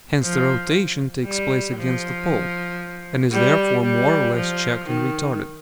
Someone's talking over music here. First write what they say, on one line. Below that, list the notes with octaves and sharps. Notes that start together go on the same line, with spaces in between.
Hence the rotation takes place against a pull, and is therefore more or less checked and retarded.
F3
G3
F3
G3
G3
F3
D#3